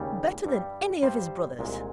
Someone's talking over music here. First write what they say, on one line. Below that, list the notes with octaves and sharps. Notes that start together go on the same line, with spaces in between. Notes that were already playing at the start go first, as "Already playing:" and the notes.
Better than any of his brothers.
Already playing: D#2 C#3 G3
G2 G3
G2 G3 C5
C2 A#2 G#3